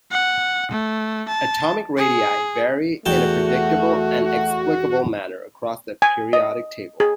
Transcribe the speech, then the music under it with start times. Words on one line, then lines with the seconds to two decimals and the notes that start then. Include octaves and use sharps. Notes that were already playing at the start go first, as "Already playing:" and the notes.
Atomic radii vary in a predictable and explicable manner across the periodic table.
0.11 F#5
0.71 A3
1.28 A5
1.97 G#4
3.06 E2 A3 F#4 G5 A5
6.02 G#5
6.33 D#5
7.00 G#4